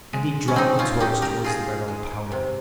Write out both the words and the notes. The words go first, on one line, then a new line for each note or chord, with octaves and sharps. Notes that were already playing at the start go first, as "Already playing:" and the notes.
And he dropped the torch towards the barrel of powder.
G#3
C#4
A#2 C4 D#4
C#4 F4
G#3 D#4 G4
G4 A#4
A#2 F4 G#4
G#3
C3